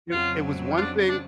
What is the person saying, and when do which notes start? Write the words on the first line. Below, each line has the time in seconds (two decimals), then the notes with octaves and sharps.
It it was one thing
0.11 F2 C#3 F#3 F4
0.77 F4
0.81 D4
1.09 D4